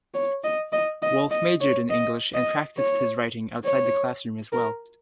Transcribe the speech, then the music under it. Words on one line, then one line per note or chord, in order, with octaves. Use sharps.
Wolfe majored in English and practiced his writing outside the classroom as well.
C#5
D#5
D#5
D#5
D#5
C#5
D#5
D#5
C#5
C#5
A#4